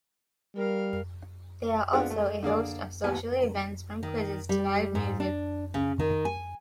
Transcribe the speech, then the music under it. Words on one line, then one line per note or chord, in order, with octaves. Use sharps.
There are also a host of social events from quizzes to live music.
G3 A#4 F5
G#3 B3 C4 D4 F4 F#5
A3
D3 A#3 G#4 D5
A1 D#2 B3 G#5
D#3
G3
G#2
D4
C#3
D#3
G#5